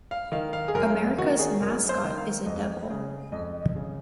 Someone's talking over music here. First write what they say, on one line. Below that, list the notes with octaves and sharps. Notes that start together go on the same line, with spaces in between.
America's mascot is a devil.
F5
D#3 F5
F5
G#4
F#2 A#4
D#3 F#4
G#4
F#2 A#4
C5
D#3
F5
F2 D#5
C#3
F2 D#5
D#5
C#3